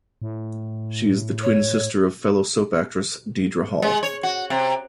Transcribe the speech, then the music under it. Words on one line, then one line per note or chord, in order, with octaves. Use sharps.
She is the twin sister of fellow soap actress, Deidre Hall.
A2
C#5
G#3
C#5
F#4
C3